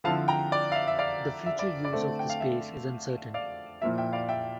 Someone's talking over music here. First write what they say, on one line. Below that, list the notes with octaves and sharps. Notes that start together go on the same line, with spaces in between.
The future use of the space is uncertain.
D3 F3 C4 E4 F5 A5
G5 A#5
D5
F5
E5
E5
D5 F5
E5
D5
D5
D3 A3 C4
G5
F5
E5
D5 F5
A#2 F3 A#3 E4 E5
E5 G5
D5 F5
E5 G5